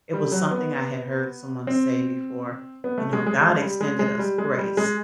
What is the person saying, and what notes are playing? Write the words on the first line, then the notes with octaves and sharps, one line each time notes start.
it was something I had heard someone say before, you know, "God extended us grace.
G3
F#3
B3
C4
B3
A3
G#3
G#3
G#3
G3
G#3
G#3
G3
G#3
G3
G#3